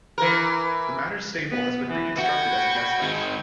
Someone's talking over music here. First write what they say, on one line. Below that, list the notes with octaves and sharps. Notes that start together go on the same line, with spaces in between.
The manor's stable has been reconstructed as a guesthouse.
E3 A#4
B3
E3
F#4 G5 B5 G#6
D#3 G#3